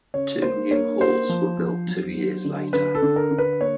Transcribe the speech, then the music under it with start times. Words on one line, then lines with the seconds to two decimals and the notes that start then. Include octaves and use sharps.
Two new halls were built two years later.
0.14 C#3 C#5
0.42 A#3 C5
0.71 A#3 C#5
1.01 A#3 C5
1.29 F3
1.59 F3
1.87 F#3
2.16 F#3
2.45 D3
2.73 D3 B4
2.95 A4
3.02 D3
3.16 A#4
3.31 D3
3.38 B4
3.60 A#3 C#5